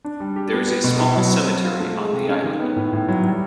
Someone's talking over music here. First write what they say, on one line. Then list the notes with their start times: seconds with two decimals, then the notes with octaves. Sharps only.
There is a small cemetery on the island.
0.05 D4
0.20 G3
0.36 G4
0.52 B3
0.68 B3
0.84 B2
1.00 E4
1.16 F#3
1.32 C4
1.48 F#3
1.64 F4
1.80 A3
1.96 G#3
2.13 C3
2.28 C#4
2.44 D#3
2.60 B3
2.76 A2
2.93 A2
3.08 F#3
3.25 G3